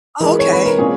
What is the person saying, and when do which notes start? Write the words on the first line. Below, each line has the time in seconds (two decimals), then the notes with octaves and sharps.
Oh, okay.
0.20 E3 G#3 D#4 A#4
0.39 C#5
0.53 B4
0.66 A#4
0.78 A#2 G#3 C#4 G#4